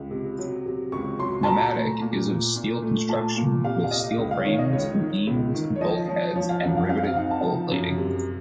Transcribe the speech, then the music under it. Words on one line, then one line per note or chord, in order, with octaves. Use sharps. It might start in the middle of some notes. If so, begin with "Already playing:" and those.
"Nomadic" is of steel construction, with steel frames, beams, bulkheads and riveted hull plating.
Already playing: C#2
C3
F#3
C3
C#2 C#6
F#3 C6
A5
A#2 A#5
A3
A#2
A#2
A#2
A3
A#2 A5
A#2
C3 F5
F5
C3 D#5
C#2
F5
D#3 C#5
D#5
C#2 C#5
D#3
C#2
D#3
C#5
F3 D#5
F3 C#5
F3 C#5
F5
F#2 F#5
F5
C4 F5
F5
D#4 F#5
A5
F3
F#2
C3